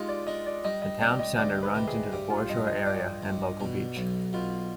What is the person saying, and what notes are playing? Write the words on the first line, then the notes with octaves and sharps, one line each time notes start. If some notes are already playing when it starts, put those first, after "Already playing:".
The town centre runs into the foreshore area and local beach.
Already playing: G#3 D#4 F4 G4
D5
D4 D#5
D5
G3 D#5
D#5
C3 D5
D#5
D2 D5
B4
C3
G#4
G2 G4
F4
G2 D#5
D#5
G2 D5
G2
B2
B1
B2 F4